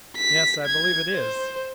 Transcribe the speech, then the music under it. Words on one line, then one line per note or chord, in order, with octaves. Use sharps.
"Yes, I believe it is."
B6
G#6
C5